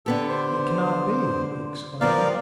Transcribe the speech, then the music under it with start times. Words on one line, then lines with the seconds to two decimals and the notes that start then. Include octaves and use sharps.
"It cannot be!" he exclaimed.
0.06 D3 B3 G4 A4
0.29 C5
2.01 F3 G3 B3 A#4 D5 F5